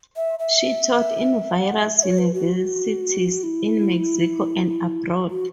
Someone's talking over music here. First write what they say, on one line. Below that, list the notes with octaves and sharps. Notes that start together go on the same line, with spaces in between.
She taught in various universities in Mexico and abroad.
E5
E5
F#5
E5
E5
C#5
B4
F#4
E4
F#4